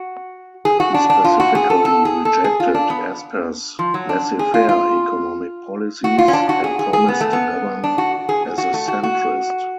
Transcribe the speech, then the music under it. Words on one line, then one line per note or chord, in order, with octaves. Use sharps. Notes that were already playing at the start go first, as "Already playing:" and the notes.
He specifically rejected Asper's laissez-faire economic policies, and promised to govern as a centrist.
Already playing: F#4
G#4
F#4
D4
D4
F4
F#4
G#4
A4
A4
G#4
A4
G#4
F4
D4
B3
F3
F#3
D4
G#4
F4
F4
F#4
F4
C#4
D4
F#4
G#4
G#4
G#4
B3
A3
B3
D4
F#4
G#4
F#4
A3
F#4
F#4